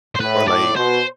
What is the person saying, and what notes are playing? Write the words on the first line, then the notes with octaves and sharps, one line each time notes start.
or, like,
C5
A2 B4
A2 D5
B2 C5